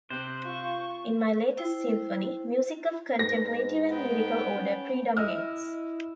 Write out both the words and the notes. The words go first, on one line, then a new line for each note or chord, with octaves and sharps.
In my latest symphony, music of a contemplative and lyrical order predominates.
C3 C4 C5 F#6
F4 C#6
E4 C5 G5
G#2 B4 A#6
B3 D#4 G5
C#4
E4 D#5 E6 F6